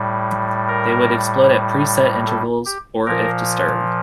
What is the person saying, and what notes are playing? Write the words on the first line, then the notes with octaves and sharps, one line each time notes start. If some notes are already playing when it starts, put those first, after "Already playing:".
They would explode at preset intervals or if disturbed.
Already playing: A2 G3
A#4
A4
G4
A#2 F3 A#4